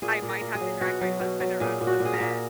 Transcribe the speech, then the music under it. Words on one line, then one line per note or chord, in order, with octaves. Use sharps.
I might have to drag my husband around a little bit
A#2 G#4
A#2
A#4
A#2
G#4
F#3
B2 F#4
F#3
B2
F#3
A#2 G#4
A#2
F#4
A#2
G#4
A#4
A#2